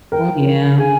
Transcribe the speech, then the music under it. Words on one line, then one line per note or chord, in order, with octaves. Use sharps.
Well, yeah.
A#4 G5
G#4 G#5